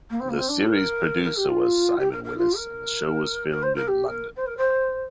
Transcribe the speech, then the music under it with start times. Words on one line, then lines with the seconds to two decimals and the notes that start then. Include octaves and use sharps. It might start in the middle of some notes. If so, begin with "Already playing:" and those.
The Series Producer was Simon Willis and the show was filmed in London.
0.10 A#3
0.19 C4
0.29 A#3
0.38 C4
0.48 D4
0.66 A#4
1.23 A#4
1.36 G4
1.48 F4
1.98 G4
2.11 A#4
2.23 A#4
2.37 F4
2.56 A#4
3.50 A#4
3.62 C5
3.75 A#4
3.87 G4
4.07 A#4
4.36 C5
4.46 A#4
4.56 C5